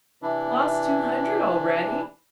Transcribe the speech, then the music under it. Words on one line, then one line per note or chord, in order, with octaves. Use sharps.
Lost two hundred already?
C3 E3 D4 E4